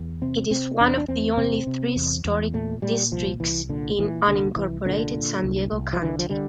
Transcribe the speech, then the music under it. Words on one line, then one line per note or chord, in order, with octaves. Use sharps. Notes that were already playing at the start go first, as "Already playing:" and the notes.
It is one of only three historic districts in unincorporated San Diego County.
Already playing: E2
C3 C4
C3 C4
E2 D4
D4
E2 C4
C3 C4
C3
E2
E2
A#2 A3
A#2 G3
C2 F3
C2 E3
A#2 D3
A#2 E3
C2 D3
C2 E3
A#2 D3
A#2
C2
C2
F3
D3 E3
F3
D3 G3